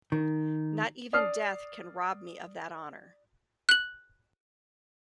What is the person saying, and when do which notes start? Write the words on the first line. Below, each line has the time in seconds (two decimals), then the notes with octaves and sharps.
Not even Death can rob me of that honour.
0.12 D#3
1.13 D5 D#6 F6 C7
3.69 F#6 F#7